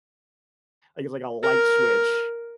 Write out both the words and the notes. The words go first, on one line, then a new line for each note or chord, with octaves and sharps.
I get, like, a light switch,
A#4